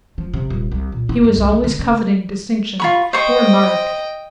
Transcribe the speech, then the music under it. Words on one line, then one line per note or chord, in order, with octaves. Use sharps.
He was always coveting distinction, poor Marek!
F3
C3
D#1
C2
A#2
E4
G2
C2
D4
D3
C#3
F4 B5 C#6
C5 D#5 G5 C#6